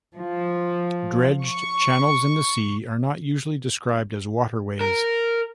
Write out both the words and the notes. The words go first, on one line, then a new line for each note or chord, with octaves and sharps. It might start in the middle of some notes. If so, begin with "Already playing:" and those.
Dredged channels in the sea are not usually described as waterways.
F3
C#6
A#4